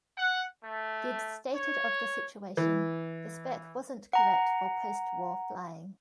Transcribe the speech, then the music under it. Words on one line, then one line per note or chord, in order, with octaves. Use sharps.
Gibbs stated of the situation: the spec wasn't correct for post-war flying.
F#5
A3
C#5
E3
F#5 A#5